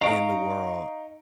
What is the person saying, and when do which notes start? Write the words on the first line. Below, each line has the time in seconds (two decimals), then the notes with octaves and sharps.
in the world
0.01 D#4 F5 A#5 C#6 D7